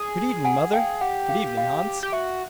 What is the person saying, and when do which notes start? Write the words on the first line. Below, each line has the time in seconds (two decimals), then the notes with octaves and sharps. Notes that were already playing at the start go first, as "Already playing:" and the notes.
'Good evening, mother.' 'Good evening, Hans.
Already playing: G#4
0.45 F#5 G#5
0.73 F5 G5
1.01 G4 F#5
1.29 F5
1.57 F5
2.03 G4
2.12 F#4 E5